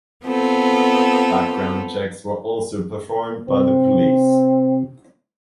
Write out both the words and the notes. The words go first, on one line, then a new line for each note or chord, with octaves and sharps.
Background checks were also performed by the police.
B3 C4 F4 A4
C3 C4